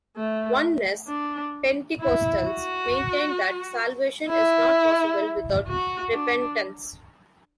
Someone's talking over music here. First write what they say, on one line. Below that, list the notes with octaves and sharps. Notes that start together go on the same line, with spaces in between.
Oneness Pentecostals maintain that salvation is not possible without repentance.
A3
D4
E4
F#4
E4
F#4
D4